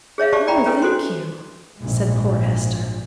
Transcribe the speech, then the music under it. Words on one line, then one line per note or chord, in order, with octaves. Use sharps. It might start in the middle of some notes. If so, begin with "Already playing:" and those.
"No, thank you," said poor Esther.
G#4 C#5 E5 F5
G4 D5 A5 C#6
D5 G5 A#5 B5
C#4 D4 A4 B4
F#4 A4 C5 C6
A#1 G#2